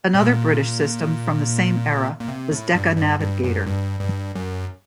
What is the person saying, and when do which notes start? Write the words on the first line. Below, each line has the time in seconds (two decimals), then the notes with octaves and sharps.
Another British system from the same era was Decca Navigator.
0.14 A2
0.22 A#2
2.21 A#2
2.28 C3
2.51 A2
2.75 G2
2.97 G2
3.20 G2
3.44 F#2
3.67 G2
4.01 G2
4.35 F#2